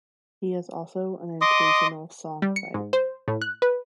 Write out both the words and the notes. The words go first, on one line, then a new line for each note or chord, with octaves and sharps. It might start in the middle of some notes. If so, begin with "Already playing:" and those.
He is also an occasional Song Fight!
D#5 C6 D6 D#6
G3
C#7
G#2
C5
A2
F#6
B4